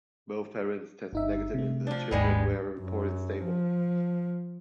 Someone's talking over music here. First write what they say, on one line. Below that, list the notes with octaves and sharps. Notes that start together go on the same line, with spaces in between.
Both parents tested negative and the children were reported stable.
G1 D#4 E5
C3 A3
F3 D4
G#1 D#2 G#2 G3 G#3 B3
F#2
F3